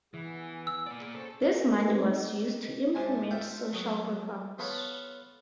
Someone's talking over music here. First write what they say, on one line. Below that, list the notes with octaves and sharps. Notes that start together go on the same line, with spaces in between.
This money was used to implement social reforms.
E3 B3 G#4
E6
A#3 D5
C#4 F#4 A4 C5
G#4 A#4
A3 C4 D#4 G4 B4 D#5
G#2 C3 G#5 A5
F4 A4 E5 G5
F#3 D#6
B3 F4 A4 C#5 B5